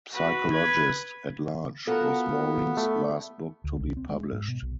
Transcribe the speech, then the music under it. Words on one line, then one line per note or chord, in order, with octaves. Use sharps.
"Psychologist at Large" was Boring's last book to be published.
F#4 B4
B4 G#6
B3 F4 F#4 A4 A#4 F#5 A#5
A3
D2
C2
C4
G#3
G#2
B2
B1